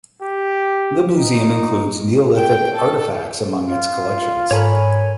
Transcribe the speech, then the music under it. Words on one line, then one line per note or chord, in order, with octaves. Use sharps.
The museum includes Neolithic artifacts among its collections.
G4
D#4
G5
A4
F4
G#2 A4 A#4 C#5 G#5 B5